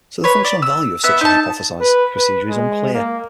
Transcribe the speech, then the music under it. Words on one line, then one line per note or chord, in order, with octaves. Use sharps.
So the functional value of such a hypothesized procedure is unclear.
B4 C#5
D5
E6
B3 E5
D#4 A5
B4
B4
G#3
A#3